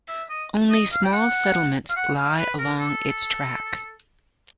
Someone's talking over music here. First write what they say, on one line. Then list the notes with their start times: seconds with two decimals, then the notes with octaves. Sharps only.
Only small settlements lie along its track.
0.08 E5
0.29 D#5
0.71 D#5
0.92 F5
1.04 G5
1.12 F#5
1.90 F5
1.96 F#5
2.17 F5
2.38 B4
2.59 A#4
2.79 A4